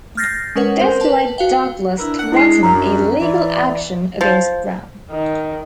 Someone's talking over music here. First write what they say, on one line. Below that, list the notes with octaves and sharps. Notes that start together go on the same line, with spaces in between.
This led Douglas threaten a legal action against Brown.
F6 G6 A6 A#6 C7
G#3 C#4 A#4 B4 C#5 F#5
C4 A#4 C5
B4 A5
F#4 F5 G5
D4 E4 A#4 B4
F#5
G#3 E4 C7
F#2 A#5
E3 D5
F3
D#3